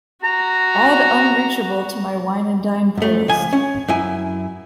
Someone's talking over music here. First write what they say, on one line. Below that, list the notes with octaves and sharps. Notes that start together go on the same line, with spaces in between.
Add unreachable to my wine & dine playlist.
F#4 A#5
F#2 A3
C#2 F3 G#5
C#4
F#2 E4 G#5